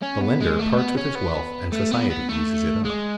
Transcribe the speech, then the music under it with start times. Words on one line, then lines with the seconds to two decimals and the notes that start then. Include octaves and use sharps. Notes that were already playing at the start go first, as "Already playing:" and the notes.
The lender parts with his wealth and society uses it up.
0.03 C#4
0.21 B3
0.40 G#3
0.59 A3
0.77 B3
0.97 C#4
1.15 B3
1.72 A3
1.91 B3
2.10 B3
2.29 A3
2.85 G#3